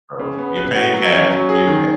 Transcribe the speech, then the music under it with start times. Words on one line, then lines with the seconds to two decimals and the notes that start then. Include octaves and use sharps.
So, you're paying cash for your pet.
0.19 C#3
0.38 B3
0.57 B4
0.75 F#4
0.94 F#3
1.12 C#4
1.31 F#3
1.49 G#4
1.67 D#3